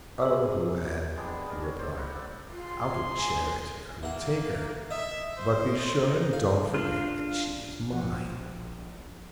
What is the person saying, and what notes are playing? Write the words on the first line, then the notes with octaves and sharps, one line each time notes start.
"Oh! well," he replied, "out of charity I will take her; but be sure and don't forget that she is mine."
E4 G#4 A#4 C#5 E6
G3 G#3 B3 D4
D4 A#4
C#5
C5 D5 E6
F#5 A#5 B5
D5 F#5 E6
F4 G#4 C6
G#5
E3 A#3 F#5
D#5 E5
C5
D#4
F5
D4 F4
A#1 F3 G4 F#5